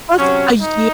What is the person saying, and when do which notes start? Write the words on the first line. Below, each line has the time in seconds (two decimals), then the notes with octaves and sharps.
Plus a year.
0.17 C3 F#3 C#4
0.60 D#4